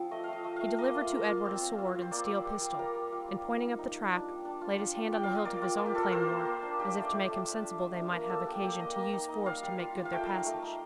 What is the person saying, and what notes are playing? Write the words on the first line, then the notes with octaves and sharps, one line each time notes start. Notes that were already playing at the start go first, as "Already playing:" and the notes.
He delivered to Edward a sword and steel pistol, and, pointing up the track, laid his hand on the hilt of his own claymore, as if to make him sensible they might have occasion to use force to make good their passage.
Already playing: F3 C4 F4
A3 D#5
A3 F5
D#5
A3
A3 F5
A#3 D#5
F4
A#3
F4
C4
C4
C4
F4
C5
A#3 D5
G3
G3
G3
G3 A#4
G3
F4
G3
D#4
D#4
D#4
D#4
D4
G3
D4
F4
G3
G3
F4 G5
F5
C4
D#5
A#3 D5
F4
A#3
G4
F4 A4
A#4
F4 C5
A#3
A#3
D4
D#4 G4
A3 D5
A3 C5
A3
D4
D4
A3
D4
A#3 A#4
D4 A4
D4 G4
A#3 G4
A#3 D#5
A#3
D#4
D#4
G3 F5
G3
F4
G3
F5
A3 G5
D#4
A3
D#4